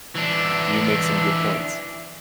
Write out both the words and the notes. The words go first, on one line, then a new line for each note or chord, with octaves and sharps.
You make some good points.
E3 D4